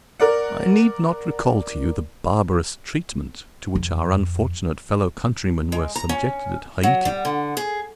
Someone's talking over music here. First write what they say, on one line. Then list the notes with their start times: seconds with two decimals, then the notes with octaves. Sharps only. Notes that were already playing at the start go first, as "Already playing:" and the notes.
I need not recall to you the barbarous treatment to which our unfortunate fellow countrymen were subjected at Haiti.
0.20 A#4 D5 F#5
3.75 F2
5.72 G#3
5.95 A#5
6.09 C#4
6.83 F#3
7.05 G3
7.25 D3
7.57 G#4